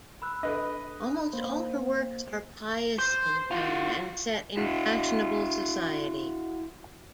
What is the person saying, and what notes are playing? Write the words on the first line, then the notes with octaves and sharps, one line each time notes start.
Almost all her works are pious in tone and set in fashionable society.
B5 E6 F#6
D4 A4 B4 D#5
A#3 C5
C5
F4 F#4
E4 F#4